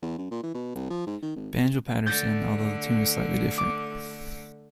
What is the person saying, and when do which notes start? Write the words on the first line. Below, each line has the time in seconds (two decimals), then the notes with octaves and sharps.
"Banjo" Paterson, although the tune is slightly different.
0.02 E2
0.18 F#2
0.31 A#2
0.43 E3
0.54 B2
0.75 C2
0.90 F3
1.06 G#2
1.22 D#3
1.36 G#1
2.06 D3 A3 G6 A6 A#6
3.58 D6